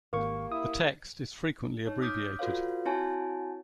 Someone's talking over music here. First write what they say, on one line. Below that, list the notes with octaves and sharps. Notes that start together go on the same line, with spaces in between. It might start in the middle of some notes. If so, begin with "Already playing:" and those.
The text is frequently abbreviated.
G#1 A#3 G4 F5 C#6
E4 D#6
D#4 C#5
D6 D#6 F6 G6 B6
F4 F#4 A4 B4 C#5 F5
C4 E4 F#4 C#5 G#5 A5